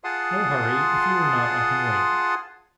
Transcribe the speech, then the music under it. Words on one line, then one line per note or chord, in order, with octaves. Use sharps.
No hurry; if you are not, I can wait.
F4 G#4 F#5 A5 C6 D#6